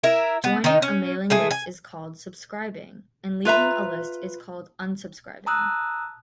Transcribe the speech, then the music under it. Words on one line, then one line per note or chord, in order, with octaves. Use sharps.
Joining a mailing list is called "subscribing" and leaving a list is called "unsubscribing".
E4 A#4 E5
B3
D#3 D#4
C#4
G#3 A3 G#4
G#5
F4 B4 E5 A#5
A5 A#5 D#6 E6 F#6